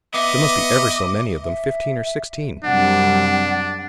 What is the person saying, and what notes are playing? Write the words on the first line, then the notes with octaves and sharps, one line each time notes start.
There must be ever so many of them, fifteen or sixteen.
B3 D#5 E5 D6
E5
F#2 C3 G3 D4 F#5